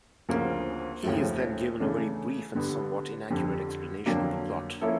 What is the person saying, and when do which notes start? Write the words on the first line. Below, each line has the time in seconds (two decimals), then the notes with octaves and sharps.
He is then given a very brief and somewhat inaccurate explanation of the plot.
0.29 D2 C#3 F3 A#3
1.04 D#2 C#3 F3 A3
1.80 C#3 E3 A3 D4
2.55 D3 G3 B3
3.30 F2 D3 G3
4.06 F2 D3 F#3 A#3 D4
4.81 F3 A#3 C#4 E4 A4